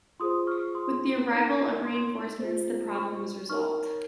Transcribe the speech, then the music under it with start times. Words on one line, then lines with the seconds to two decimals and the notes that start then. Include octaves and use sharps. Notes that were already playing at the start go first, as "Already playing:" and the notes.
With the arrival of reinforcements the problem was resolved.
0.20 F4 G#4 C5 C6 D#6
0.47 C#6 F6
0.74 C6 D#6
1.30 D#4 A#4 C#5
1.85 C6 D#6
2.40 F4 G#4 C5
2.95 C#6 F6
3.49 D#4 A#4 C#5 C#6 F6